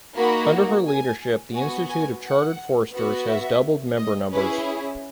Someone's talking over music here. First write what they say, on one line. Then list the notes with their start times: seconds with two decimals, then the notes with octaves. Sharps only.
Under her leadership the Institute of Chartered Foresters has doubled member numbers.
0.17 A#3 D#4 F#4 B5
0.86 G#5
1.55 B3 F#4 G#5
1.90 G#5
2.25 F#5
2.94 B3 F#4
3.28 E5
3.98 D#5
4.32 C#4 E4 G#4 B4